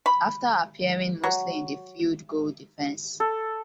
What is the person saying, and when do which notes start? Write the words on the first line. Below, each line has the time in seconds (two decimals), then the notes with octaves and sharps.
After appearing mostly in the field goal defense.
0.06 B5
1.24 F#3
3.20 A4